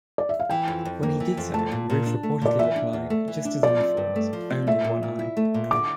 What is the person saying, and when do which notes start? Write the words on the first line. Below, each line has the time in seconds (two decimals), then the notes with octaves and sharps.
When he did so, Ruth reportedly replied, Just as I thought; only one I.
0.18 D5
0.29 E5
0.40 F5
0.50 E3 G5
0.68 F2
0.85 F2
1.03 A#3
1.20 E3
1.37 F2
1.54 A3 A5
1.72 A#2
1.90 A#2
2.06 D4
2.23 A3
2.42 A#2 D5
2.59 E3 E5
2.76 D4
2.93 E2
3.10 A3
3.28 E3
3.45 D4
3.63 F3 D5
3.81 C4
3.97 G2
4.16 A3
4.33 F3
4.50 C4
4.67 A3 E5
4.84 A#2
5.03 A#2
5.19 E4
5.37 A3
5.54 A#2
5.71 D3 D6